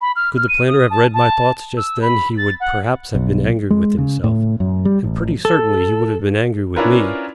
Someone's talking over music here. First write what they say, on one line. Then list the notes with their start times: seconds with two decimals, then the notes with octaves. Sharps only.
Could the planter have read my thoughts just then he would perhaps have been angry with himself, and pretty certainly he would have been angry with me.
0.01 B5
0.16 F6
0.37 F6
0.49 D#7
0.68 D#6
0.90 A5
1.14 A5
1.77 E6
2.02 B5
2.37 A6
2.60 F#5
3.15 B1
3.70 G#3
3.98 C#3
4.24 A2
4.60 F#2
4.85 G3
5.04 A1
5.45 A4
6.76 C#4 D4 E4 F4 A#4 B4